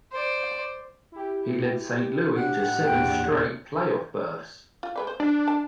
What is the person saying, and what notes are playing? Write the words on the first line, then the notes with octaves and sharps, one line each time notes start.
He led Saint Louis to seven straight playoff berths.
C5 D5
E4 G4
A2 D4 G4 F#5
E2 A#2 G5
F4
G#3 B4 D5
C5
D4
A5